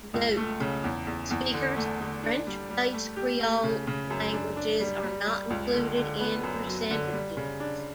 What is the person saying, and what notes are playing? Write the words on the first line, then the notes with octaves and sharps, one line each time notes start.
Note: speakers of French-based creole languages are not included in percentages.
C#2
A3
C#3
E2
E2
E2
D3
A3
D3
D4
G3
G3
A3
G4
A3
C#3
C#3
F#2
D4
D4
G3
G3
G3
C#2
D3
D3
B3
F#2
F#3
D3
G3
C#3
D4